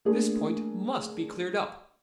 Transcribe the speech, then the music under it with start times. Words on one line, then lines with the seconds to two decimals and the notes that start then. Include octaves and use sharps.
This point must be cleared up.
0.05 A3 A#3 D4 G#4 A#4